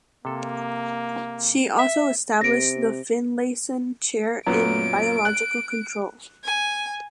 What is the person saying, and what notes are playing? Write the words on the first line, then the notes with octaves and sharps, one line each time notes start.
She also established the Finlayson Chair in Biological Control.
C3 A#3 A4
E5
C3 A#6 D7
F#2 A#2 B3 D7
F#6
G#5